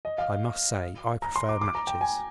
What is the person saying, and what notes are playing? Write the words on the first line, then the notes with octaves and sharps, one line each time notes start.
I must say I prefer matches.
D#5
F5
A#5
C6
D6
D6
A#5
G5
G#5